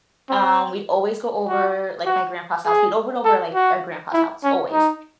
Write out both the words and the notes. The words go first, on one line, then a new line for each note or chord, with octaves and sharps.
um, we'd always go over, like, my grandpa's house, we all went over, like, our grandpa's house, always,
C4
F#4
F#4
G#4
A4
F#4
E4
C#4
D#4